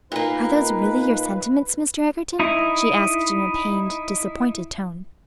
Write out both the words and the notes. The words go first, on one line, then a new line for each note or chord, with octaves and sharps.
"Are those really your sentiments, Mr. Egerton?" she asked, in a pained, disappointed tone.
A#2 A#3 D#4 B4
D#4 E4